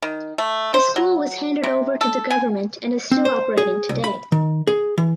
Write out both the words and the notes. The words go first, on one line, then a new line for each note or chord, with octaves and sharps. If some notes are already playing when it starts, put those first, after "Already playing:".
The school was handed over to the Government and is still operating today.
D#3
A3
C5
F#3
C3
A4
G#5
C4
C5
G#4
C2
B5
D#3
G#4
E3